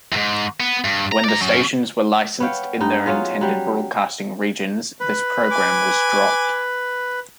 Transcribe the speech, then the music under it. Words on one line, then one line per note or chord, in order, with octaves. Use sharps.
When the stations were licensed in their intended broadcasting regions, this program was dropped.
E2 G#2
B3
G2
A#5
D5 A#5
F#3 C#4
B3 C#5 F5 G5
G2 D#4
F#3 C#4 F4 G#4
F#3 G3
B4
G#5 D6